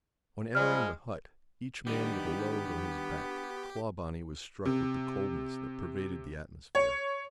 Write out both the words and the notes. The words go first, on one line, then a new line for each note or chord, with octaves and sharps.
On entering the hut, each man with a load on his back, Clawbonny was struck with the coldness that pervaded the atmosphere.
F3 G3 G#3 F6
D#3 G3 B3 D4 D#4 G4
C3
C#5